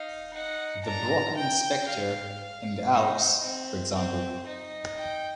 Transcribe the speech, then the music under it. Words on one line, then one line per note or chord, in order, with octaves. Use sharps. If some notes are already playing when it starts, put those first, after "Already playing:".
The Brocken Specter in the Alps, for example.
Already playing: D#4 F5
D#4 F#5
D4 A#5
G5
F5
D#4
C4
C4
D#4
G5